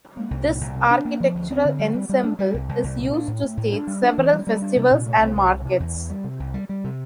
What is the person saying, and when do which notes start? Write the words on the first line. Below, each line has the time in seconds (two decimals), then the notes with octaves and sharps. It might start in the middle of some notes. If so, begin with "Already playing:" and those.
This architectural ensemble is used to stage several festivals and markets.
0.17 A#3
0.31 C2
0.46 A#2
0.61 C2
0.76 C3
0.91 D4
1.05 A#3
1.20 F3
1.35 D2
1.50 C4
1.65 D3
1.79 G3
1.94 G3
2.09 G3
2.24 D4
2.39 G3
2.54 C2
2.69 C2
2.84 C2
2.98 A#2
3.13 D4
3.28 A2
3.43 A2
3.57 A2
3.73 D4
3.87 G3
4.02 D4
4.18 E3
4.32 G3
4.47 G3
4.62 D4
4.76 C3
4.91 A#2
5.06 A3
5.21 C2
5.35 C2
5.51 C3
5.66 C3
5.80 E2
5.95 E2
6.10 G3
6.24 C3
6.40 C2
6.54 G3
6.69 G3
6.84 C3